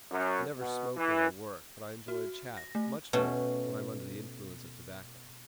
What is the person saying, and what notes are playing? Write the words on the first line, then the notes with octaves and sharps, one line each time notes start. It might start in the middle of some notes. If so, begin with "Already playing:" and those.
I never smoke when I work, but I enjoy a chat much more when I am under the influence of tobacco.
F#2
B2
E3
F#4
A#6
A3
B2 A3 C#4